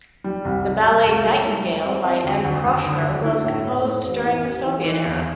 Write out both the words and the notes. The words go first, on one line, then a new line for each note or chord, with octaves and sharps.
The ballet "Nightingale" by M. Kroshner was composed during the Soviet era.
G3
C2
G3
C3
C2
G3
E4
G3
C4
C4
D2
D2
D2
D3
D2
E4
A2
A2
A2
A1
E3
A1
E3
E3
E2